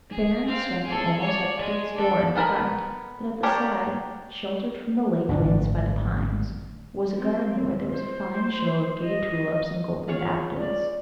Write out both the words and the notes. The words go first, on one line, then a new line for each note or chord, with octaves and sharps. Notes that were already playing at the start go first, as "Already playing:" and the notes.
The barrens swept almost up to its door in front but at the side, sheltered from the lake winds by the pines, was a garden where there was a fine show of gay tulips and golden daffodils.
G#4
C4 F5
G#4 A4
C#5 D5
G#3
D4 A4
B3 A4 A#4 G#5 B5
D4 G4 A4 A#4 C#5
D#1 G#1 F#2 A2 D3 D4
C4
C5
D#5
F4 G#4 C#5
D5